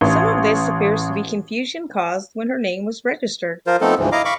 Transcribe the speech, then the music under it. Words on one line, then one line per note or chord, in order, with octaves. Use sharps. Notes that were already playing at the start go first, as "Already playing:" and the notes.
Some of this appears to be confusion caused when her name was registered.
A1
F3 F4 A#4 C5
F3 A3 B3 C4 D#4 A4
D2 G#2 E3 F3
E4 D#5 F5 A#5 D6
F5 B5 C#6 D6